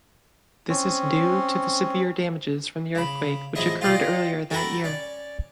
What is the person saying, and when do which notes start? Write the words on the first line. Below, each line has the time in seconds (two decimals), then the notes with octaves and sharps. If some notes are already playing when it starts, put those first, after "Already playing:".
This is due to severe damages from the earthquake which occurred earlier that year.
0.69 C4 C#4
2.95 C#3 B5
3.55 A1 F3 G#3 E4 D#5 E5
3.81 F4 G4 D5 D#5 F5 G5
4.50 F#4 A4 A#4 G5 B5
4.84 C#4 D5